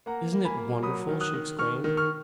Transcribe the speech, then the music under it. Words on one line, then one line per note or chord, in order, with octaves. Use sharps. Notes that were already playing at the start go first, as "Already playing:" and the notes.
"Isn't it wonderful!" she exclaimed.
A#3 F#5 A#5
A#3
G#5 B5
A#3
F#3 B5 D#6
D#3
D#6 F#6
D#3
D#3 C#6 F6
D#3
C#6 F6